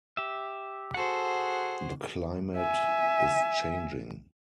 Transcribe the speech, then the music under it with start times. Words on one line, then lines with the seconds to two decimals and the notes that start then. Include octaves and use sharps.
The climate is changing.
0.17 G4 E5
0.94 F#4 G#4 A4 C5 F#5
2.57 E5 G#5